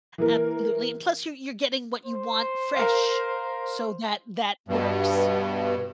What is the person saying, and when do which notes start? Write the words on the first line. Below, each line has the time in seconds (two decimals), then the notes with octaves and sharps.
Absolutely, and plus you're you're getting what you want fresh, so that that works,
0.18 E3 A#3 A#4
2.06 C5
2.77 A#4 F5
4.68 G2 B2